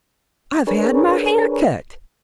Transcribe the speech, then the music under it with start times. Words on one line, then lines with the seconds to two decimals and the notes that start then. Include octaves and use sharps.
I've had my hair cut.
0.67 D4 G#4 A#4 B4 C#5